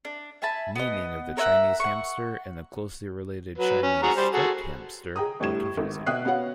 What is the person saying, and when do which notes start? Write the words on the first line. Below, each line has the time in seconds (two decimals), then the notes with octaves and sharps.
Naming of the Chinese hamster and the closely related Chinese striped hamster are confusing.
0.05 D4
0.42 E5 G#5 A5 B5
0.75 B3 D#5
1.37 A#4 C#5 E5 F#5
1.80 F#5 C#6
3.58 F#3 B4
3.83 C#4
4.03 F#4 G#4 A#5
4.17 G3 C5
4.33 F#4 G#4 A4
5.16 G#4 G5 A#5 D#6
5.40 G1 A2 G3 G#6 E7
5.77 G#1
6.06 B2 E5 G5 D#6 F#6 C7
6.25 B3 C#4 F#4 F5 F#5